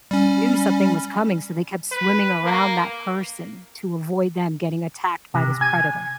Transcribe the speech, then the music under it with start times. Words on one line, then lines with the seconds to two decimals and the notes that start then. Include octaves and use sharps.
knew something was coming, so they kept swimming around that person to avoid them getting attacked by this predator.
0.11 G3 C#4
1.92 B4
2.44 A#3
5.34 C3
5.61 G#5